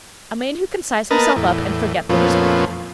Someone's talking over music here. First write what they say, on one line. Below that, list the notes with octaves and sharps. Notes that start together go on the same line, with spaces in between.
A man who can size himself up and forget the result.
A#3 B3 A#4 B4 D#5 A5
E2 A2
F2 A#2 F3 A3 B3 C#4